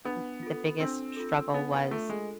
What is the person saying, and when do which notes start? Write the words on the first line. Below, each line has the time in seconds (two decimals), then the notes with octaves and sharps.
m the biggest struggle was
0.05 B3 D4
0.43 F4 A4
0.80 C4 D4
1.17 F4 A4
1.54 B3 D4
1.73 B3
1.91 A3 F4 A4
2.10 G#3